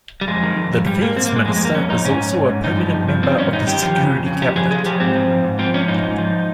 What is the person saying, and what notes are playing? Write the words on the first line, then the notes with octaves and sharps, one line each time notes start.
The Defense Minister is also a permanent member of the Security Cabinet.
G3
F2 G#3
D#3
F2
F2
G#2 G3
G#2 A#3
G#2 C4
A#3
G#2 G#3
F2 G#3
G#3
F2 A#3
F2 C#4
F2 D#4
G#2 C#4
G#2
G#2
G#2
G2 D#4
F3
G2
F3
D#3 C4
G2 C#4
G2 D#4
D#3 G4
F3
C#3
F2
C#3
F3 G4
F3 G#4
F3 G#4
F3 G4
G#2 C4
F3
G#2
G#2
F3 C4
F3 C#4
G#2 D#4
G#2
F3